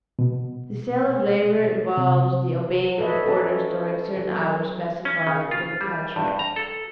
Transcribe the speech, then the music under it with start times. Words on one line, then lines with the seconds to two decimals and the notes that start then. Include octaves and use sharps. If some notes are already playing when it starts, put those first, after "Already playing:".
The sale of labor involves the obeying of orders during certain hours specified in the contract.
0.19 B2
1.97 C3
2.98 A4 B4 C#5 D#5 E5
3.26 C#4 A4
4.17 F#3
5.05 C#4
5.27 C#3
5.51 F4
5.81 G3
6.16 G2
6.39 A#5
6.56 A4